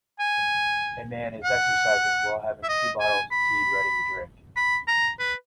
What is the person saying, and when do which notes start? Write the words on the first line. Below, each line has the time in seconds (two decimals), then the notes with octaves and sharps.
A man is exercising while having two bottles of tea ready to drink.
0.19 G#5
1.44 F#5
2.63 E5
2.69 D#5
3.00 G#5
3.32 B5
4.56 B5
4.88 A#5
5.19 B4